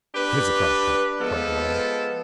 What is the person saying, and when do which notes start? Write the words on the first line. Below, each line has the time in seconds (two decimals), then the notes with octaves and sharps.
"Here's the cross cut," cried the miner.
0.15 D4 G4 B4
1.19 F3 G#3 B3 A4